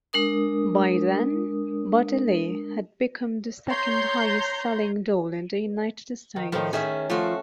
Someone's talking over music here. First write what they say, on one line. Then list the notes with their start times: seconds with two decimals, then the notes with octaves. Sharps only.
By then, Buddy Lee had become the second-highest-selling doll in the United States.
0.13 G#3 D4 A#4 D#6
3.69 C#5 A#5 C6 G6
6.36 D#3
6.52 A2 D#3 F3
6.73 D#3 C#4 G#4 E5
7.10 F3 A3 F4 F#4